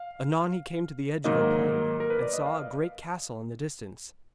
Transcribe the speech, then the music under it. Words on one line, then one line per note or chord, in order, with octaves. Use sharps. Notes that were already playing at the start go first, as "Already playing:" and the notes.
Anon he came to the edge of a plain, and saw a great castle in the distance.
Already playing: F5
G#2 D#3 F#3 A#3 D#5
A#4
B4
D5
D#5
F5